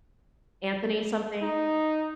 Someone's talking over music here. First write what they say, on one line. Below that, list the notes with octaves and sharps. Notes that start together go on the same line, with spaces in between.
Anthony something,
D#4